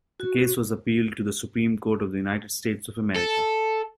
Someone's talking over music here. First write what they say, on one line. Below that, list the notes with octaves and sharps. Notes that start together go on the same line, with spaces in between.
The case was appealed to the Supreme Court of the United States of America.
F#4
A4